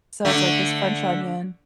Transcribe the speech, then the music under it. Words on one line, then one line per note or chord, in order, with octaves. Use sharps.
So it's like this French onion
D3 A3